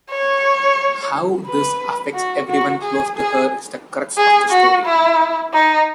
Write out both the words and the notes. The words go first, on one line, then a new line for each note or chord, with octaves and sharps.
How this affects everyone close to her is the crux of the story.
C#5
B4
F#4
F#4
G#4
G#4
G#4
F#4
E4
D#4